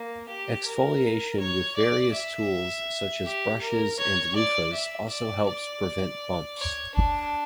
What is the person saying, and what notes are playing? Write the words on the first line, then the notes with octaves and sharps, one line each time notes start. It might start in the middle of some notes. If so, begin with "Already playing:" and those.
Exfoliation with various tools such as brushes and loofahs also helps prevent bumps.
Already playing: A#3
G4
A#4
C#5
D5
E5
G4
A#4
C#5
D5
E5
D5
D5
C#5
D4